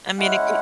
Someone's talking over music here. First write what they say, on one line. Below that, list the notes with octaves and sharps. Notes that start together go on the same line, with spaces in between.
I mean, it could
G#3 C#4 E4 F#5